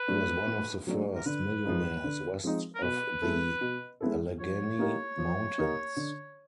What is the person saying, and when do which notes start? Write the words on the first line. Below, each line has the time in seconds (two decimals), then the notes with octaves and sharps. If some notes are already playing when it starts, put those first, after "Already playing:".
He was one of the first millionaires west of the Allegheny Mountains.
Already playing: B4
0.08 F#3 A3 D4
0.47 A2
0.87 F#3 A3 D4
1.15 A#4
1.26 D3 B4
1.66 F3 G#3 C4 D#4
2.04 D3
2.44 F3 G#3 C4 D#4
2.75 A#4
2.82 B2 B4
3.22 G#3 B3 E4 A4
3.61 B2
4.01 G#3 B3 E4 A4
4.40 F3 C#5
4.79 A#3 D#4 G4 A#4
5.18 F3
5.58 A#3 D#4 G4 A#4
5.97 D3